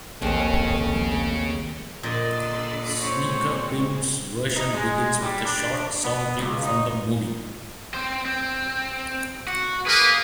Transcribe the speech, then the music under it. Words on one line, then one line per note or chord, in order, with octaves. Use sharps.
Sneaker Pimps' version begins with a short sound clip from the movie.
A#1 D#2 C4 C#4 G#4 A4
A#2 D3 D5 D#5 C6 E6
G#3 C4 C5 C#5
D#4
G#3
G3
D4
B3
C#2
D#4
C4 C5
C4
F#4
A#3 G#4 B4